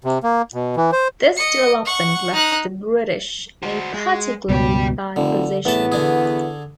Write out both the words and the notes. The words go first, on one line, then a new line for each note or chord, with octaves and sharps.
This development left the British in a particularly bad position.
C3
A#3
B2
E3
C5
D#5 C#7
F#5 C#6
D#4 F#6
F#4 C5
G#3
C#2 G2 B2 G3 G4
F1 D3
E2 A2 B3 A5
D3 D4 G#4